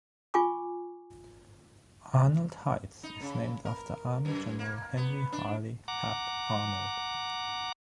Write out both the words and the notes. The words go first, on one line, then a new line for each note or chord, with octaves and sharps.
Arnold Heights is named after Army General Henry Harley "Hap" Arnold.
F4 G#5 C#6 D6
D#4
C#3
A#4
F#2
A#3
B3
D4
F#5 A#5 D6